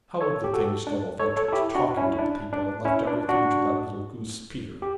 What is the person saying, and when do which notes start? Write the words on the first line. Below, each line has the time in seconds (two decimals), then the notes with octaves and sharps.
How would the things go, if I took to talking to the people, and left everything to that little goose, Peter?
0.21 A4 C#5
0.44 G4
0.54 F#4 A4
0.87 D4
1.19 A4 C#5
1.37 A4 C#5
1.48 A4
1.52 E4 G4
1.75 D4 F#4
1.97 C#4 E4
2.13 E4
2.19 D4
2.53 D4
2.85 C#4 E4
3.07 D4
3.29 D4 F#4
4.82 G4